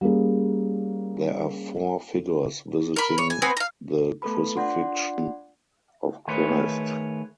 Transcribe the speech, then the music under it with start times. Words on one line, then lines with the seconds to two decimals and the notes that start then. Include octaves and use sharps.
There are four figures visiting the Crucifixion of Christ.
0.01 G3 A#3 C#4 G#4
2.96 A#4 B5
3.18 C#5
3.30 G#5
3.42 B3 C4 B4 G#5
3.57 F5 A#5
4.22 A3 B3 A4 B4 B5
4.56 D4 F4 D5 F#5 C6
6.28 D#3 A3 G#4 B4 C#5